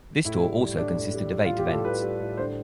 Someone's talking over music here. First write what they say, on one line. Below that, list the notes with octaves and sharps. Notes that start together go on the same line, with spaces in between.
This tour also consisted of eight events.
A2 E4
G3
G3
A2 D4
A2
G3
G3
F4
A2
G4
A2 A4
G3 B4
G3
A2
D3 C5